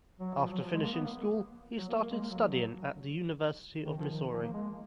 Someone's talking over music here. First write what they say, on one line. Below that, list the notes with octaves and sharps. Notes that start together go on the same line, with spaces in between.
After finishing school, he started studying at the University of Missouri.
F#3
F3
F#3
F3
G#3
A#3
B3
A#3
F#3
A#3
A#3
G#3
A#3
F#3
F3
F#3
D#3
F3
D#3
F3
A#3
G#3